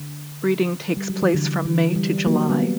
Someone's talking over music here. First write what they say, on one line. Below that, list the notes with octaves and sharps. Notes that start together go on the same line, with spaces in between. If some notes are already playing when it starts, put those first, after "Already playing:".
Breeding takes place from May to July.
Already playing: D3
G3
F#3
E3
D3
E3
G3
F#3 A#3
G3 B3